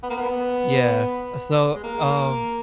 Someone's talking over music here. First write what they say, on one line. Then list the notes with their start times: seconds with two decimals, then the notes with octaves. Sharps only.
S yeah, so, um,
0.03 B3
0.10 A#3
0.17 B3
1.74 G#3
1.83 A#3